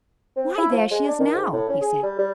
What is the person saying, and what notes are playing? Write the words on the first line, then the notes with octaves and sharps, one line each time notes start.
"Why, there she is now!" he said.
C4
E4
F3
G#3
D4
D#3
G#2
A2
C#4
G#4
G3
G3